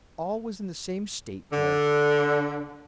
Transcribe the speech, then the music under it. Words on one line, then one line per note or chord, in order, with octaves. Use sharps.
All was in the same state there.
D3